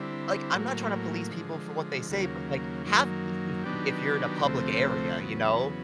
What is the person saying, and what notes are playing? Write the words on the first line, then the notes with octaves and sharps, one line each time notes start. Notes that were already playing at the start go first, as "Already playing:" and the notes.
like, I'm not trying to police people for what they say, but like, have decency if you're in a public area, you know.
Already playing: D3 G3 C4 E4
A2 F#3 A#3
D3 F3 G#3
D#2 C#3 F#3 A#3
F#2 D#3 F#3 A#3
D#3 F#3 B3 D4 G4
D2 C3 F3 A3 C4
E2 C#3 F#3 B3